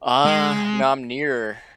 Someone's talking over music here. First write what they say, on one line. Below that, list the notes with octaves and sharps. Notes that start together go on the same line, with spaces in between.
Uh, no, I'm near
G#3